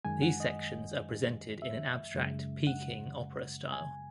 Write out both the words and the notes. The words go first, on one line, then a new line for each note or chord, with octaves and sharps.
These sections are presented in an abstract, Peking opera style.
F#2 D#3 G#3 G#5
F#5
D#5
E5
F#2 C#3 G#3
F#5
G#5